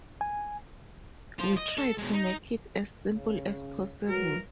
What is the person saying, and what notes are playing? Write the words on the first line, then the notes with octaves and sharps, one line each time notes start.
We tried to make it as simple as possible.
G#5
F4 C5
D#5
A4
B2 G#3
D#4
C#3
E3 F#3 F#4 A#4